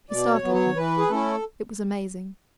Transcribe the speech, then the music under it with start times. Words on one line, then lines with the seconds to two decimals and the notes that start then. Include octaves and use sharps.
He startled me. It was amazing.
0.10 B2 D5
0.33 C#5
0.44 F#3 B3
0.55 C#5
0.76 E3 B4
0.98 G#4
1.10 A3 C#4 E4 A4